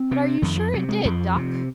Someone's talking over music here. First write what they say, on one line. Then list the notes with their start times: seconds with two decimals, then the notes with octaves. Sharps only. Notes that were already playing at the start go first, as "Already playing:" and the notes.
"But are you sure it did, Doc?"
Already playing: C4
0.11 C3
0.42 F2 D#3
0.57 F3
0.74 C3 F#3
0.89 G#3
1.05 F2 F3
1.36 C3